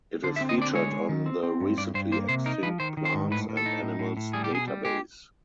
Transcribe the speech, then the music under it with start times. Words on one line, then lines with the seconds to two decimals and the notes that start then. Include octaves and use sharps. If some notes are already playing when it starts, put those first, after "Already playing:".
It is featured on The Recently Extinct Plants and Animals Database.
0.24 D3 C5
0.36 E5
0.41 C4
0.49 D#5
0.58 D3 D5
0.75 G#3 C#5
0.92 G#3
1.09 D#3
1.26 C4
1.43 C4
1.60 G2
1.77 G2 D5
1.94 G2 C5
2.12 A#3 C5
2.29 C3 C5
2.46 D#4 A#4
2.63 F3 B4
2.80 D#3 C5
2.97 D#3
3.05 C5
3.14 G#2
3.31 A2 B4
3.49 A2
3.57 A4
3.66 D#4
3.83 A2
3.99 A2
4.17 A2
4.33 G3 G#4
4.44 G4
4.51 B2 G#4
4.68 G3
4.85 G#3 G4